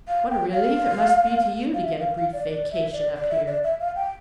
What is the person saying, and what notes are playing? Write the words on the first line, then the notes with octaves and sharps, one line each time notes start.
What a relief it must be to you to get a brief vacation up here.
F5
G5
F5
F5
E5
F5
F5
D5
D5
E5
D5
D5
E5
D5
E5
F5
G5